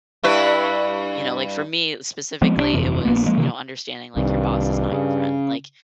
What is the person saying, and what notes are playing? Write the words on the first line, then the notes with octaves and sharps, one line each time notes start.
you know, like, for me, specifically, it was, you know, understanding, like, your boss is not your friend, like
G2 E4 B4
F3 G#3 B3 C4
C2 E3 D4
G1 F2 C3 E3
A#1 G#2 A#3 B3
F3 G#3 A#3
C3 D#3 E3 A#3
C2 G2 C3 D#3
C#3